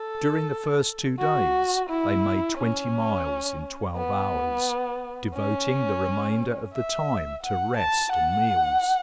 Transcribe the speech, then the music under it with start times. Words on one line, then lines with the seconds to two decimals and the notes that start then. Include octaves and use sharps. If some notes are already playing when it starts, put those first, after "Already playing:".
During the first two days they made twenty miles in twelve hours, devoting the remainder of the time to rest and meals.
Already playing: A4
1.19 F#4
1.89 E4
2.58 C#4
3.96 B3
5.35 C#4
6.73 E5
7.43 F#5
7.77 A5
8.12 F#5